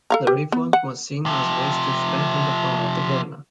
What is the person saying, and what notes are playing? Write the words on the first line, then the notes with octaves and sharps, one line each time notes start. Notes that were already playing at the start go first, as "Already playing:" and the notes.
The reforms were seen as ways to strengthen the power of the Governor.
A4 F5 A#5
G4
B3
F#5
C3 F3